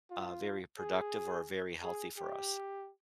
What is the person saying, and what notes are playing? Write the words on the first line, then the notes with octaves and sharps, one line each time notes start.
uh, very productive, or very healthy for us.
F4
G#4
G#4
G4